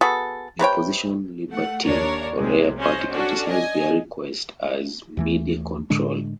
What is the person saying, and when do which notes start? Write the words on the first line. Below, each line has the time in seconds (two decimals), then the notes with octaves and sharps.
The opposition Liberty Korea Party criticised their request as "media control".
0.01 B3 F#4 G#4 A4
0.59 C3 B4 C#5 G5
1.49 A3 F#5
1.82 D#2 D4 A#4 C#5
2.37 C2 C3 G#3
2.78 C#4 C5 D#5
3.11 C#4 D4 F#4 A4
3.49 D#5 G#5
5.17 D#2 E3 A3
5.90 A2 D3 G#3 D4